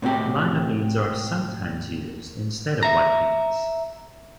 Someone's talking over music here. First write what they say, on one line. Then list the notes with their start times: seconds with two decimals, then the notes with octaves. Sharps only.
Lima beans are sometimes used instead of white beans.
0.02 A2 C3 C4 G4
2.83 E5 A#5